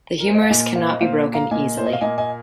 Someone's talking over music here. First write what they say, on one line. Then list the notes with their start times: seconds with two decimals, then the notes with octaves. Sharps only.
The humerus cannot be broken easily.
0.20 A#4
0.27 C5
0.35 D#5
0.42 F5
0.50 A#2 A#3 D#5 G#5
0.76 C5 F5
0.92 D#5
1.01 A#2 A#3 C5 F5
1.34 F5 A#5
1.51 A#2 A#3 D#5 G#5
1.77 C5
1.86 D#5
1.93 F5
2.01 A#2 A#3 D#5 G#5
2.18 D#5 G#5